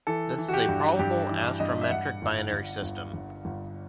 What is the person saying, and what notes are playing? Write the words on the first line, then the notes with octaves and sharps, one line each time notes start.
This is a probable astrometric binary system.
E3 A4
E3
F#4
G4
G2
G2 G4
E3
G2 D#5
E5
G2 F#5
G1
G1
G1
G1
G1